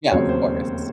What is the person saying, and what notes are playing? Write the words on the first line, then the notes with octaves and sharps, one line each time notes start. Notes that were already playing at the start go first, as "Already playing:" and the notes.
Yeah, of course.
E1 D#2 C#3 F#3 C4 C#5
C5